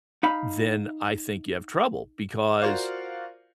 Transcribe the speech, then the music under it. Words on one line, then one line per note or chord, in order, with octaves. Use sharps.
then I think you have trouble, because,
D#4 F5 B5
F4 F#4 A#4 C5 D5 F5